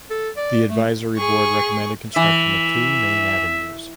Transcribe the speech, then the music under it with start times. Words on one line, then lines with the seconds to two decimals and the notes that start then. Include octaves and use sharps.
The Advisory Board recommended construction of two "Main Avenues".
0.10 A4
0.37 D5
0.69 A3
1.17 G#4 C#6
2.16 E3 E5